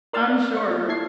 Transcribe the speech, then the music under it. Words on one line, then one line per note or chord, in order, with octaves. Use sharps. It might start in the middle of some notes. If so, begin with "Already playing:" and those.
I'm sure.
A#4 D5 C6 E6 F6 A6
D5 F5
C5 F5 C#6
A#3 F4
E4 A5 G#6 C7